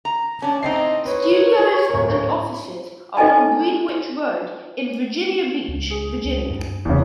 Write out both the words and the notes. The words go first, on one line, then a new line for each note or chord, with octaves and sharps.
Studios and offices are on Greenwich Road in Virginia Beach, Virginia.
A#5
C#4 D4 A5
A2 C4 D#4 D#5 C7
B4 C#5
D1 A#4
D#4 A4 D#5 G#5 A5
C#2
G#4
C#2
G2
D1 E2 C#3